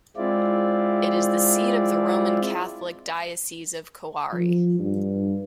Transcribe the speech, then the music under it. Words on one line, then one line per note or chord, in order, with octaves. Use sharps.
It is the seat of the Roman Catholic Diocese of Coari.
G#3 C4 E4 F4 D5
F3
G2